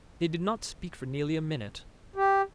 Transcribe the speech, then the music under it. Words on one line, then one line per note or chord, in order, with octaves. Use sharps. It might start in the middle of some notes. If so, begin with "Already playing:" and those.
They did not speak for nearly a minute.
G4